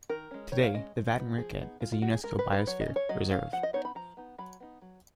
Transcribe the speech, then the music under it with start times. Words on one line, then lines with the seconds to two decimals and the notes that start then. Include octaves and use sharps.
Today the Vattenriket is a Unesco biosphere reserve.
0.09 D#3 A#4
0.31 G#3 C#4
0.52 D#3 C#5
0.63 F5
0.74 G#3 C#4 D#5
0.96 F3
1.16 B3 D#4
1.38 F3 G#4
1.60 B3 D#4
1.80 G#3 F4
1.92 F4
2.02 D#4 F#4
2.13 G#4
2.24 G#3 A#4
2.39 B4
2.46 D#4
2.52 B4
2.67 F#3 C#5
2.81 D#5
2.88 C#4
2.96 C#5
3.09 F#3 D#5
3.31 C#4 F5
3.52 F3 F#5
3.63 D#5
3.73 B3 D#4 C#5
3.85 B5
3.95 F3 A#5
4.17 B3 D#4
4.38 F#3 B5
4.60 B3 D#4
4.82 F#3